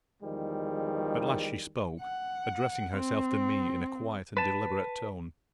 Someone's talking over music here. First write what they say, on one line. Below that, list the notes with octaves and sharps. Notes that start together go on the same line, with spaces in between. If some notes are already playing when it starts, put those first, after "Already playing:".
At last she spoke, addressing herself to me in a quiet and deliberate tone.
E2 D#3 F3 G3 G#3
F#5
C4
B4 A5